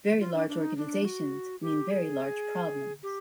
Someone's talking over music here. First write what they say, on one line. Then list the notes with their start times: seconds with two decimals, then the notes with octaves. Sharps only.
Very large organizations mean very large problems.
0.20 F4
0.34 D4
0.49 D4
0.62 D#4
0.77 D4
1.05 F#4
1.62 G4
1.90 G#4
3.03 G4